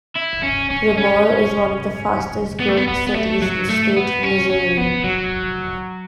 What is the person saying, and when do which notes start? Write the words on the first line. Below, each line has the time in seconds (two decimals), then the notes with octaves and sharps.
Raymore is one of the fastest growing cities in the state of Missouri.
0.16 E4
0.43 C#4
0.71 C#4
0.98 C#4
2.60 B3
2.69 A3
2.77 B3
2.87 B3
3.07 B3
3.14 A3
3.42 F#3
3.69 A3
3.96 B3
4.23 C#4
4.50 C#4
4.78 B3
5.04 F#3